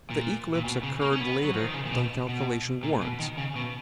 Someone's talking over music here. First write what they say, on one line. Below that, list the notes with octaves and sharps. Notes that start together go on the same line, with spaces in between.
The eclipse occurred later than calculation warrants.
A#2
A#2
B2
C#3
A#3
C#4
B3
F#3
F3
D#3
C#3
A#2
B2
B2
A#2
B2
D#3
C#3
B2